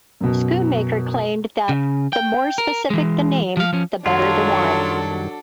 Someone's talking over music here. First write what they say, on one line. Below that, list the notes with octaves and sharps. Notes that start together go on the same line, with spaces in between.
Schoonmaker claimed that "the more specific the name, the better the wine".
F#2 B2
C#3
G5
A#4
E3 G#3
F3 F5
F3 C#4
F#2 D#3 F#3 G3 D4 F4 A4